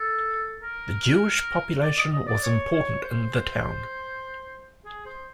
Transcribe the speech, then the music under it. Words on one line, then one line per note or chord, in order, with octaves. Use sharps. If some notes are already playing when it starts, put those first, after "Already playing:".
The Jewish population was important in the town.
Already playing: A4
A#4
D5
D#5
D#5
D5
C#5
C#5
C5
G#4
C5